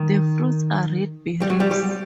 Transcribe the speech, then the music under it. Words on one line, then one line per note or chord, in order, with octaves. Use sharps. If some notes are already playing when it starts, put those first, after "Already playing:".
The fruits are red berries.
Already playing: D#3
G3
F#3
G3
G3